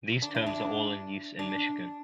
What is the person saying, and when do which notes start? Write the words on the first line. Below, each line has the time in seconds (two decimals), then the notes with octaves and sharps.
These terms are all in use in Michigan.
0.22 D4
0.35 E4
0.46 D4
1.39 D4